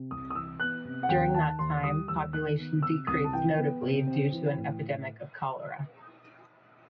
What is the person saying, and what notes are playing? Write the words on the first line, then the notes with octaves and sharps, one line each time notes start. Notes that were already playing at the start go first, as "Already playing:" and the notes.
During that time, population decreased notably due to an epidemic of cholera.
Already playing: C3
C2 D#6
D#6
E3 E6
B3 F#6
C3
F#5
D#2 G5
D#3 A5
D#2 C6
G3 D#6
D#2 E6
D#3 F#6
B3
C3 E6
C2 D#6
A5
E3 G5
B3
C3
C4
E3
A2